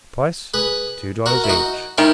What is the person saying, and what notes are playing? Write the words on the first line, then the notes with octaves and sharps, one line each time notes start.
Price, two dollars each!
G#4 B4
F#4 A#4
E4
D#4 F#4
D#3 C#4 E4